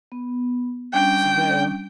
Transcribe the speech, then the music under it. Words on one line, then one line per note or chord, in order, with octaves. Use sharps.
So there.
B3
G3 C#4 D4 G5